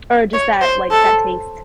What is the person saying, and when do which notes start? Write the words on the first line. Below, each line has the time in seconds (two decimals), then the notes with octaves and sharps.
or just that, like, that taste.
0.33 C#5
0.62 C5
0.91 A4